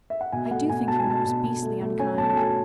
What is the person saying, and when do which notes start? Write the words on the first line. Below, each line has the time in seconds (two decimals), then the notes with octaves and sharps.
I do think you're most beastly unkind.'
0.10 E5
0.21 F#5
0.32 B2 G#5
0.51 A3 F#5
0.69 B2 G#5
0.88 B2 A5
0.99 G#5
1.07 B2 A5
1.25 B2
1.44 B2
1.63 A3
1.81 A3
2.00 C#4 G#5
2.18 B2 A5
2.29 A5
2.37 A3 G#5